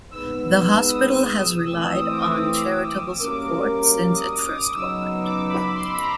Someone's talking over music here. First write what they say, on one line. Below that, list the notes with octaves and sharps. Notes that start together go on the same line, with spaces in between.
The hospital has relied on charitable support since it first opened.
G#3 B3 D#4 G#4 B4 E6
E6
D#6
E3 A3 C4 E6
D#6
D6
D#6
G3 A#3 C#4 F#4 A#4 D6
D#6
D6
D#6
C#3 F#3 B3 D#4 E6
D6
B5
C6
B5
A#5